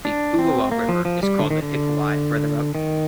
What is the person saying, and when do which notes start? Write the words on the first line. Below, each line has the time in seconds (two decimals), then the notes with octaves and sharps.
The Uawa River is called the Hikuwai further up.
0.05 D4
0.39 C4
0.72 A#3
0.89 F3
1.05 F3
1.23 G3
1.39 D3
1.51 D#3
1.62 D3
2.75 D#3